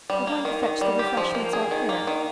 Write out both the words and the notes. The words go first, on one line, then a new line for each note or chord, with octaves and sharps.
"They're going to fetch the refreshments out here."
G3
A#3
D#3
D#3
G3
G4
F3
A#3
G#4
D#3
A#3
D#3